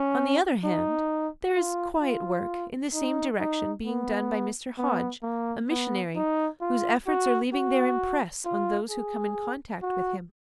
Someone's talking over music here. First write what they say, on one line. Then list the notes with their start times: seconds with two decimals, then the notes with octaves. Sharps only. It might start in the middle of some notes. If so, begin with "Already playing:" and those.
On the other hand, there is quiet work in the same direction being done by Mr. Hodge, a missionary whose efforts are leaving their impress on those who come in contact with him.
Already playing: C#4
0.64 D#4
1.56 F4
2.01 F4
2.94 D#4
3.40 D#4
3.85 B3
4.78 B3
5.23 A#3
5.70 B3
6.16 D#4
6.61 F4
7.07 F#4
7.54 F#4
8.45 F4
8.90 G#4
9.82 F#4